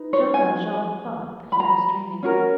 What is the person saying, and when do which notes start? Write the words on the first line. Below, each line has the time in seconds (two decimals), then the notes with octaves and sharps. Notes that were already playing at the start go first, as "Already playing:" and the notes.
Jean Valjean thought that he was dreaming.
Already playing: D#4 B4
0.13 C#5
0.34 G#5
1.52 B5
1.60 A#5
2.23 C#4 F#4 A#4